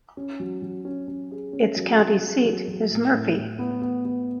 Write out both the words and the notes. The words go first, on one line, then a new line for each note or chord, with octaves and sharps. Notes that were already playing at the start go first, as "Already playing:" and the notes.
Its county seat is Murphy.
C#4
F#3
F#3
C#4
C#4
G#4
C#4
F#3
F#3
G#4
F#3
F#3
A2
A2
A2
B3
B3
B3